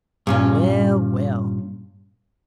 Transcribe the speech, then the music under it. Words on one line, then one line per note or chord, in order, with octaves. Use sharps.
Well, well.
G2 A#2 C#4